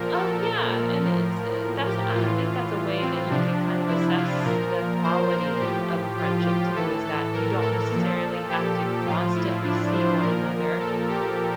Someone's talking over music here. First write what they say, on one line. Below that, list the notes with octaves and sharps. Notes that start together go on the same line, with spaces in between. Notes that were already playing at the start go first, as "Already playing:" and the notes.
Oh, yeah, and it's, uh that's, I I think that's a way that you can kind of assess the quality of a friendship too, is that you don't necessarily have to constantly see one another,
Already playing: A#2 F3 A#4
A4
A#4
A2 F3
G4
A2 E3 F4
C4
C3 F3 D4
E4
F4
A#2 F3 A#4
C5
A#4
A2 F3 G4
F4
G4
A2 E3 A4
A4
A#4
A4
A#2 F3
G4
A2 F3 F4
E4
D4
C5
A#2 F3 A#4
A4
G4